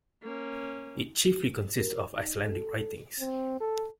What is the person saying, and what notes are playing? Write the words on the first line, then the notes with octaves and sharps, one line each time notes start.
It chiefly consists of Icelandic writings.
A#3 C#4
A#4
D#4
A4
C4
A4